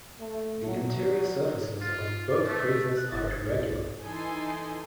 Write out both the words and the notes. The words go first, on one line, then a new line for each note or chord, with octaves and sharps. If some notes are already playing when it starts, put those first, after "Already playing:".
The interior surfaces of both craters are irregular.
A3
F#3
F4
A3
F#6
G1 E4 A6
B1
E3 D#4 A4 G#5 C6